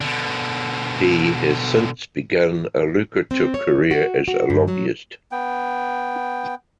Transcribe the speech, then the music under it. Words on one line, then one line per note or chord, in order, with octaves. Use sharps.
He has since begun a lucrative career as a lobbyist.
B2 D3
C4
C#5
F#4
F#4
G2
F#3
B3 G5